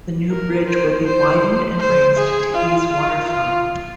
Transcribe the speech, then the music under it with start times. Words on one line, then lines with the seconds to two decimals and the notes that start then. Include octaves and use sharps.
The new bridge will be widened and raised to ease water flow.
0.30 A#4
0.67 C5
1.05 C5
1.79 C5
2.17 G#4
2.55 F4
2.92 F4
3.29 F4